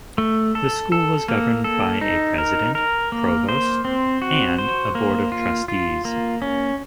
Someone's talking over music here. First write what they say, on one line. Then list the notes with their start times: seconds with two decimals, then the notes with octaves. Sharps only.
The school was governed by a president, provost and a Board of Trustees.
0.18 A3
0.55 A4
0.92 A4
1.29 A#3
1.64 A4
2.01 D#4
2.38 A#4
2.75 A#4
3.12 A#3
3.49 C5
3.85 C4
4.22 F#4
4.58 C5
4.95 A#3
5.32 F4
5.68 F4
6.05 A#3
6.42 C#4